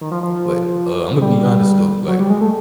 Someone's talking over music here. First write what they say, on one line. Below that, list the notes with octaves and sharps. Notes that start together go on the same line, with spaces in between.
But, uh, I'm gonna be honest though, like,
D#3
F3
F3
G3
F#3
G3
G#3
A3